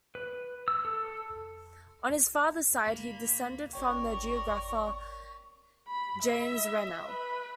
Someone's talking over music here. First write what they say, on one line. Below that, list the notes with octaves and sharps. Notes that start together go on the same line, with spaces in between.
On his father's side he descended from the geographer James Rennell.
B4
E6
A4
A#3 B5
G#1 A#4 C#5 D5 G5 C#6
B5
E5
B4